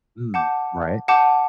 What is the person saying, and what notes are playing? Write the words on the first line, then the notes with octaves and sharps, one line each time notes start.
Mm, right?
F#5 A5 D6 G6
F#5 A5 D6 G6